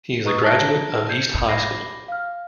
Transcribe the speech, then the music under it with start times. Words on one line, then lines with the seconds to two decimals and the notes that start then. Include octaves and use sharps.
He is a graduate of East High School.
0.25 B4 D#5 A#5 C#6 D#6
0.42 G#4 C#5 A5 A#5 A#6 D7
1.09 G6 G#6 C7 C#7
1.48 B5 D6 A#6 C7
2.08 F5 F6